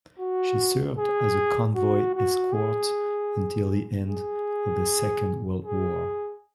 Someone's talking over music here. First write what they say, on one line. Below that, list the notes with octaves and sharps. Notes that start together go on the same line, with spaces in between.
She served as a convoy escort until the end of the Second World War.
F#4
G#4
F#4
F#4
G#4
G#4
G#4